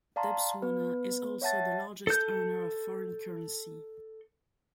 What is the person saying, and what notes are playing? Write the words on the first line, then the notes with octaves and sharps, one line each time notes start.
Debswana is also the largest earner of foreign currency.
D5 F5 A5 A#5 C6
B3 B4
C#5 E5 F#5 A5 A6
A4 G6